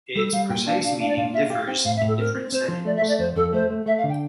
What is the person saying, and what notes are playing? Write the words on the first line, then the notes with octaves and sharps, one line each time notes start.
Its precise meaning differs in different settings.
G3 A4
G3 F5
A#2 G5
D4 F5
D4 F5
D4 F5
D5
A#2 F5
F4 E5
G4 F5
C4 G5
A2 F5
E5
A2
A4
C4 A#4
C4
C4 C5
F3
A3 D5
E5
A3
D5
F2 C5
F2 A4
A3 C5
A3
A3 E5
F5
D3
G5